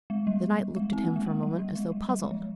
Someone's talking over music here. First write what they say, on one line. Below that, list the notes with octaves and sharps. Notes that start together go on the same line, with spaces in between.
The knight looked at him for a moment as though puzzled.
G#3
G3
G#3
C4
A#3
G#3
A#3
G3
G3
G#3
G3
G3
G#3
F3